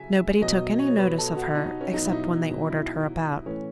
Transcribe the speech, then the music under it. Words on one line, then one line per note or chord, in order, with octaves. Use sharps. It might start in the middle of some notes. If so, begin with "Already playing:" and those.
Nobody took any notice of her except when they ordered her about.
Already playing: C#3 F#3 E5 G#5
B2 F#3 D#5
C#5
B4
A4
F#4
D#4
C#4
B2 F#3 D#4
E4
D#4
E4
A2 E3 C#4